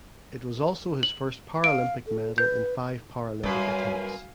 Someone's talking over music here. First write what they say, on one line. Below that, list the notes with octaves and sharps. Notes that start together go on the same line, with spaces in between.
It was also his first Paralympic medal in five Paralympic attempts.
F#7
F5 D7
A4
B4 G6
F#2 G3 F#4 B4 F5 G#5